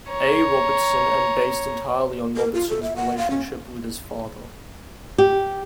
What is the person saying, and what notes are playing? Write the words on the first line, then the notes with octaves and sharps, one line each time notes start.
A. Robertson, and based entirely on Robertson's relationship with his father.
C#5 A#5
A#4
F4
A4
E5
F#5
F5
C#4
G4